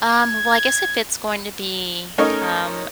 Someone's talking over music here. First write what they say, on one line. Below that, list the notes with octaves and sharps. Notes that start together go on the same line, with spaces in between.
Um, well, I guess if it's going to be, um,
G#6
A3 C#4 D#4 A#4 C#5 D#5